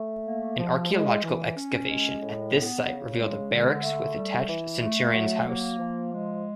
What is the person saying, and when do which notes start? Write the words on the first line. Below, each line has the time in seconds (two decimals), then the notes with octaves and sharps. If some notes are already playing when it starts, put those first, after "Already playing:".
An archaeological excavation at this site revealed a barracks with attached centurion's house.
Already playing: A3
0.24 A#3
0.58 F3
0.90 G#3
1.23 E3
1.56 C#4
1.88 G#3
2.21 A2
2.53 B3
2.85 C#3
3.19 G#3
3.51 D3
3.83 A3
4.15 G3
4.49 E3
4.81 A3
5.14 F#3
5.46 A#3
5.79 F3
6.12 G#3